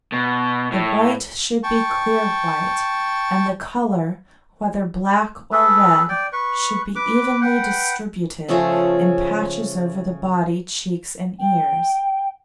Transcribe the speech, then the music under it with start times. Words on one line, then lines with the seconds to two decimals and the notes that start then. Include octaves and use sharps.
The white should be clear white, and the colour, whether black or red, should be evenly distributed in patches over the body, cheeks, and ears.
0.12 B2
0.72 A2
1.63 G5 A5 C#6
5.52 G#4 A4 B4
6.09 D5 G5
6.33 B4 C#6
6.95 B4 D6
7.41 B4 F#5 G5
8.48 C#3 F3 A3 G#4
11.38 G5